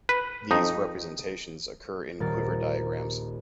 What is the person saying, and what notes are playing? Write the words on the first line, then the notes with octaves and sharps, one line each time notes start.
These representations occur in quiver diagrams.
B4
F2 D#4
D#1 A#1 A#4 A6